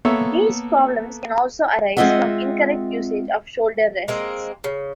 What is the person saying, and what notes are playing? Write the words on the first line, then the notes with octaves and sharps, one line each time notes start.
These problems can also arise from incorrect usage of shoulder rests.
A#3 B3 A4 C#5 E5
G#3 C4 F4 D#5 E5 F#5
G#3 A#3 C4
C#3